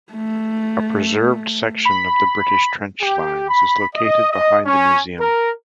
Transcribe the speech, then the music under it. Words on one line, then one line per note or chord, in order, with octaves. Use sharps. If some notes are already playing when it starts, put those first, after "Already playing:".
A preserved section of the British trench lines is located behind the museum.
A3
B5
G4
B5
D#5
D#5
C#4
A#4